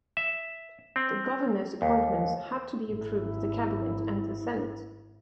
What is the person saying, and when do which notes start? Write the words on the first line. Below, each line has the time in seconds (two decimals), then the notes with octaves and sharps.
The Governor's appointments had to be approved the Cabinet and the Senate.
0.17 E5
0.96 C4
1.82 D#2
2.91 G#1 E4